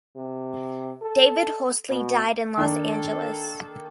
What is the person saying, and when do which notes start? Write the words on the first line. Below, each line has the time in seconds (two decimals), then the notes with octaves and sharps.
David Horsley died in Los Angeles.
0.16 C3
1.02 A4
1.89 B2
2.57 D#3 A#3 D4 A4